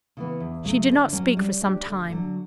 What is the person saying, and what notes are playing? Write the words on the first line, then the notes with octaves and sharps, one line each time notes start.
She did not speak for some time.
C#3 E3 B3
E2
C#3 F#3 A3
D3
F#3 C#4 F#4
G3
D4 G4
D2
D3 F#3